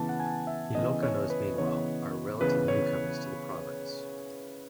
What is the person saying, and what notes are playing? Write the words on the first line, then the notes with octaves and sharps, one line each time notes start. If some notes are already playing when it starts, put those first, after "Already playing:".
Ilocanos meanwhile, are relative newcomers to the province.
Already playing: C#3 E3 B3 A5
F#5
G#5
E5
C#3 E3 B3 D#5
C#5
B4
C#3 E3 B3 C#5
C#3 E3 B3 B4
C#5